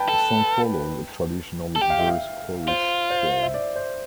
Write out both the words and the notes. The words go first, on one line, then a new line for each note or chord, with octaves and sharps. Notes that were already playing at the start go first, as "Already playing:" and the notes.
The song follows a traditional verse-chorus form.
Already playing: B4 G5 A5
A4
A4
G4 G5
F5
E5
F5
F4 C5
C5
E5
D5
C5